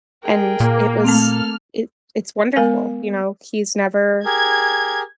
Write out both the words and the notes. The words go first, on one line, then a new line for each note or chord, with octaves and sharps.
And it was it it's wonderful, you know? He's never,
G#4 A#4 G5
A#2 A#3
A3 C4 A4 F6
G#3 B3 A#4 F5 G#5
G4 G#4 A#4 G#6